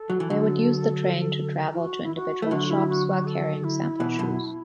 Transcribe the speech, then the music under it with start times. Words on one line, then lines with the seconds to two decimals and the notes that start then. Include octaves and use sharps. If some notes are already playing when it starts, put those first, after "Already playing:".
They would use the train to travel to individual shops while carrying sample shoes.
Already playing: A4
0.10 F#3
0.20 E3
0.30 D3 F#3
1.73 E4
1.77 F#4
2.02 E4
2.15 F#4
2.42 A3 E4
2.51 D3 F#3 F#4
2.70 E4
2.88 F#4
3.07 F#4
3.27 A4
3.63 E4
4.00 B2 E3
4.19 F#2 B2